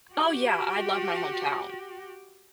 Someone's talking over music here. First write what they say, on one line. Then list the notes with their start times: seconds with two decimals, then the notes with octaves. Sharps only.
Oh, yeah, I love my hometown,
0.13 F#4 G4